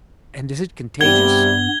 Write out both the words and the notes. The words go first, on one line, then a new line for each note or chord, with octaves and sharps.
"And is it contagious?"
G2 C3 G3 B3 G#6 G7